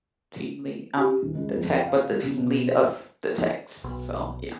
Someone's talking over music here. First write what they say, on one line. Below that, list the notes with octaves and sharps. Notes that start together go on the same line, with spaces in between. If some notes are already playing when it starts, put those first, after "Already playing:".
team lead, I'm the tech, but the team lead of the techs, so yeah.
G4
D#1
C#2
F2
G5
F5
G3
C#3
B2
C5
B1